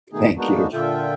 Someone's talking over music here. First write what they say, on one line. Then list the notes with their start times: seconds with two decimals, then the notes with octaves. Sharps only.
Thank you.
0.13 B2 D#3 A3 B3 D#4 G#4
0.37 G#3 A#3 B3 D4 D#4 F#4
0.73 A#2 D3 F4 A4 E5 G5